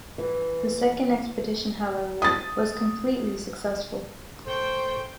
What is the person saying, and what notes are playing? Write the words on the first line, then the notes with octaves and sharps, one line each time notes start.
The second expedition, however, was completely successful.
E3
D#6 A6
A2 A4 C5 G5 C#6 G6